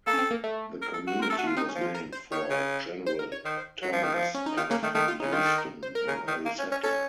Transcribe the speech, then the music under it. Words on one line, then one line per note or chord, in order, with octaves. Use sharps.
The community was named for General Thomas F. Houston, an early settler.
A#3 A4
C#4
C4
A#3
A3
A#4
A4
F#4
C4
A#4
A3 A4
F#4
A3
F4
C4 D#4
C#4
F3
F4
A#4
C5
D#3 C#5
C#3
C5
A#4
C#5
D#3 C5
C5
F#3
F3
D#3
F3
C#4
D#4
D#3 F4
C#3 A#3
D#3 A3
D#3 A3
F4
C#3 D#4
D#3 F4
A4
A#4
C5
A#4
C#3
D#3
A#3
C#4
C#4
C#4 A4